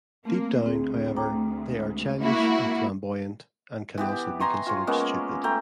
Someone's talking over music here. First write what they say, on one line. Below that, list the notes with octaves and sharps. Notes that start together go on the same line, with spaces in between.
Deep down, however, they are childish and flamboyant, and can also be considered stupid.
A3 A#3 C4
D2 C4 G#4
G5 A#5 D6
G#3
A#3 E4 F#4
E3 B3 G4
G#5 A#5 C6 C#6
F4 C#5
G#3 A#3 B3 C#4
A3 G5 A#5